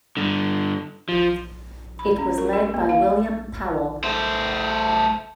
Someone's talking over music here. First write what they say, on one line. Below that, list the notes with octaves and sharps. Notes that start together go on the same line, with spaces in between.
It was led by William Powell.
G2 D3
F3
B5
C#4
A#4
G4
A#3
F5
A3 C5